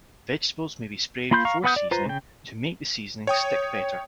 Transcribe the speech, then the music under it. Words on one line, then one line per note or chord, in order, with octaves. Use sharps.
Vegetables may be sprayed before seasoning to make the seasonings stick better.
A#3 F4 B5 C6 G6
F5 A#5 C#6
B3 B4 F#5 D#6 G6
D5
F4 B4 C5 A#5
C#3 G5
C#5 G5 D#6